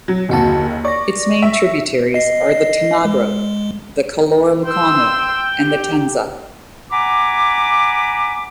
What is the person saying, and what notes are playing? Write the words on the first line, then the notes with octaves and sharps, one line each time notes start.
Its main tributaries are the Tanagro, the Calore Lucano and the Tenza.
F#3
F#1 D#2 D3 F#4 A5
D5 C#6 A#6
E5
D#5 C7
G#3
G5 C6 E6
G4
F#5 G#5 A#5 B5 D6